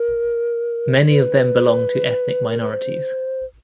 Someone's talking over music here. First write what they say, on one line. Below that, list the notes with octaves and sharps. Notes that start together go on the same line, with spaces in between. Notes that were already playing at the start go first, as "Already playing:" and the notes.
Many of them belong to ethnic minorities.
Already playing: A#4
B4
A#4
B4
C5